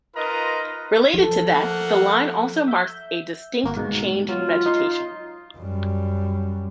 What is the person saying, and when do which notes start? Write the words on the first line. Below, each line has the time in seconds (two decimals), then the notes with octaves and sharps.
Related to that, the line also marks a distinct change in vegetation.
0.15 D#4 F4 A#4 B4 D#5 A#5
1.14 F3 A4
1.47 A3 A#3 F#5
2.68 E5 G6
3.64 G1 A#3 F#4
3.77 G#2 B2
4.28 F#3 F4
4.66 D#4 C6
5.57 F#2 G3